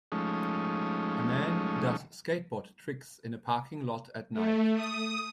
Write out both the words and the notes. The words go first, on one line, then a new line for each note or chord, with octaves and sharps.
A man does skateboard tricks in a parking lot at night.
F3 G#3 A3 C#4 D#4
A3
D#6